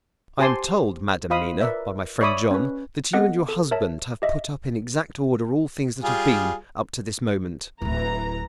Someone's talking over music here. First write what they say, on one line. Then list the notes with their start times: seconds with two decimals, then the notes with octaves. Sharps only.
"I am told, Madam Mina, by my friend John that you and your husband have put up in exact order all things that have been, up to this moment."
0.39 G4 C5 G#5 A5 C6 D6
1.30 F4 C5 D#5 F5 B5 D#6
1.61 A#4 B4 D5 E5
2.21 C#5 D5 E5 B5 D6 D#6
2.51 C#4 B4
3.13 B3 C4 A4 D#5 F#5 F#6
3.49 A4
3.71 A#4 C#5 E5 A5
4.22 G4 D#5 E5
6.03 G3 F4 G#4
7.82 D1 G1 E3 A#5